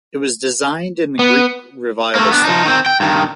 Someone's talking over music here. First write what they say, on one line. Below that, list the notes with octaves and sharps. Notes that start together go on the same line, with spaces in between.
It was designed in the Greek Revival style.
B3
A3 A#3
B3 D4
F3 D#4
D#3 C4
G5
G2 D#3